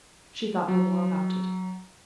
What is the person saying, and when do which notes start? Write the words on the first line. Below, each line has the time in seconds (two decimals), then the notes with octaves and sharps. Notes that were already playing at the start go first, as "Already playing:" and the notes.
She thought no more about it.
0.68 F#3